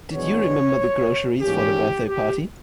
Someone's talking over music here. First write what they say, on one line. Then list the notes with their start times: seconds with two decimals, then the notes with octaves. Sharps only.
Did you remember the groceries for the birthday party?
0.12 E2 B2 G#3 B3 D4 C#5
1.42 G#2 E3 G3 A#3 C#4 G4
2.07 G4